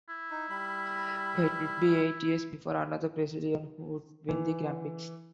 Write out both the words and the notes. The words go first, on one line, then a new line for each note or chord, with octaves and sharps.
It would be eight years before another Brazilian would win the Grand Prix.
E4
D#4
G3 B5
E3